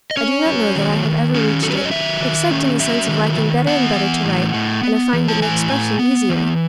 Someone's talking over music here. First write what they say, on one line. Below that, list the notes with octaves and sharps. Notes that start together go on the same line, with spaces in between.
I do not know that I have ever reached it, except in the sense of liking better and better to write, and of finding expression easier.
D#5
C#4 C#5
F#3
D#3
D#3
C#4
F#3 A4
B4
C#5
D#5
D#3 E5
D#3
C#4
F#3 E5
D#3
D#3
B3 F#5
E3
A2
A2
B3
E3
A5
A2 G#5
A2
B3
E3